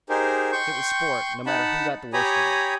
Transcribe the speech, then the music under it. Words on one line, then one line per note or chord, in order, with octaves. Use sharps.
It was sport, no matter who got the worst of it.
D#4 G4 G#4 A#4 C5
G5 C6 C#6 G6
D#4 F#5 A5 B5
G4 C#5 G#5 A#5 B5 D#6